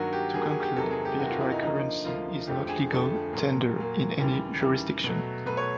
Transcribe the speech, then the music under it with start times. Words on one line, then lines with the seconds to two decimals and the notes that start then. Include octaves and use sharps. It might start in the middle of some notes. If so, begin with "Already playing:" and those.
To conclude, virtual currency is not legal tender in any jurisdiction.
Already playing: G2 D#3 F#3 A#3 F#4
0.13 G4
0.34 G2 D#3 F#3 A#3 G#4
0.49 G#4
0.63 G4
0.76 E2 C3 D#3 F#3 A#3 A4
0.91 G#4
1.05 G4
1.19 E2 C3 D#3 F#3 A#3 F#4
1.30 F4
1.40 E4
1.52 D#4
1.62 D2 D3 F3 A#3 D#4
2.05 D2 D3 F3 A#3 F4
2.47 F2 D3 F3 A3 G4
2.69 G#4
2.90 F2 D3 F3 A3 A4
3.33 A#2 F#3 A#3
3.75 A#2 F#3 A#3
4.18 D#2 C#3 E3 G3
4.60 D#2 C#3 E3 G3
5.04 B2 F#3 A3
5.46 B2 F#3 A3 B4
5.57 C#5